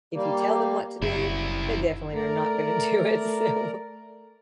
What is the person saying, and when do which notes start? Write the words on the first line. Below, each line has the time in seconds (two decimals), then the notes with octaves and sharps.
if you tell them what to do, they definitely are not going to do it, so
0.14 G3 A#3
1.02 F#1 G3 E4
2.15 A3 A#4 D5 A#5